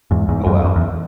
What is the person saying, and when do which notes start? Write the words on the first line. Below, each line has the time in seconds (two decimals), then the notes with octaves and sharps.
Oh, wow,
0.11 E2 G#2
0.29 E2 G#2
0.47 F#2
0.64 F#2
0.76 E2